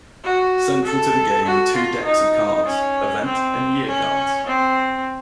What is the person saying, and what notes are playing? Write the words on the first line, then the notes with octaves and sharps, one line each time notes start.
Central to the game are two decks of cards, Event and Year cards.
F#4
A4
F#4
F4
D#4
C#4
C4
C#4
C4